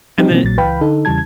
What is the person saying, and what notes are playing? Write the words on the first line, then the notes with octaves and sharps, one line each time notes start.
and then
F3 G3 C4 D#4 G4
B2 D#3 E3 F#3 A#3 C4
A#1 A#2 F#3 A6
C#2 E3 B4 F5 G5 B5
D3 D#4 A4
E2 C#3 E3 G3 A5 G#6